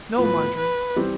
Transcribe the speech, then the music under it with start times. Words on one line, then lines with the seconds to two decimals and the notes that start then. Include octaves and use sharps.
No, Marjorie.
0.17 A2 F3 B3 B4
0.57 B4
0.96 E3 G3 C4 G4